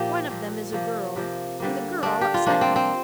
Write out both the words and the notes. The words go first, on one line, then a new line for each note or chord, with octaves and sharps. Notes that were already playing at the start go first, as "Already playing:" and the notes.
One of them is a girl, and the girl upset me.
Already playing: A#2 F3 A#3 G4
A#2 F3 A#3
C3 F3 A#3
C3 F3 A#3
D3 G3 A#3
D3 G3 A#3 D4
G4
F4
C3 F3 A#3 D4
C4
C4